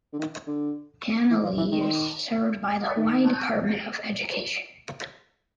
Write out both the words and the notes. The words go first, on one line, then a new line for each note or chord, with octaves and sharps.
Hanalei is served by the Hawaii Department of Education.
D3
D#3
D3
E3
F3
E3
D#3
D#3